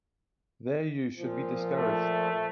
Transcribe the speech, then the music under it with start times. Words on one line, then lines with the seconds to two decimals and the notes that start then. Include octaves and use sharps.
Their use should be discouraged.
1.16 A#2 F3
1.77 A3